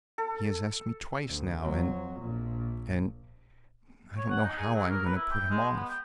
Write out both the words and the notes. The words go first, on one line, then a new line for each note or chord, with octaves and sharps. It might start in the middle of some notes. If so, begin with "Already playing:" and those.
He has asked me twice now and--and--I don't know how I am going to put him off.
A4
D2
F2 F#3
A#1 A#2
C#5
F#5
D#4
G#4
F#3
A#4
B4
E4
G5
G#3
B3
G5